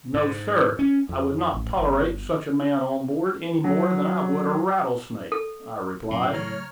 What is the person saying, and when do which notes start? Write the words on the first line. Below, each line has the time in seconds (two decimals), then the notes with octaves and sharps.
"No, sir; I would not tolerate such a man on board any more than I would a rattlesnake," I replied.
0.14 G#2
0.79 C#4
1.09 F2
1.54 A1
1.77 G1
3.64 F#3
5.32 A4
6.10 F#2 A2
6.33 C#3 F#3 A3 C#5 A#5 F6